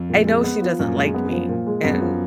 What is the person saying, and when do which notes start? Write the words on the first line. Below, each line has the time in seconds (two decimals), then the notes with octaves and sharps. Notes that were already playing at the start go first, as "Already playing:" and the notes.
I know she doesn't like me, and
Already playing: F2
0.10 A#2
0.27 G#3
0.44 B3
0.62 F3
0.79 F#2 A#2
0.97 G#3
1.14 B3
1.31 F3
1.49 A#2
1.67 G#3
1.84 F#2 B3
2.01 F3